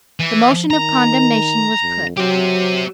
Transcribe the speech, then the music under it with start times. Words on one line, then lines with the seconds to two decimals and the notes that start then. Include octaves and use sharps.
The motion of condemnation was put.
0.20 E3
0.70 D#3 A#5
1.82 F2
2.17 F#3 G4 C5